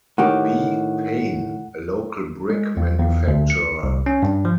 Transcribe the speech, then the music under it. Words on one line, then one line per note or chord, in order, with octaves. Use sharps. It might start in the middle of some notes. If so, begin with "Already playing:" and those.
B. Paine, a local brick manufacturer.
A2 D#3 G4 F#5
G#3
E2
E2
D2
C#7
C2
C#4
G2
F3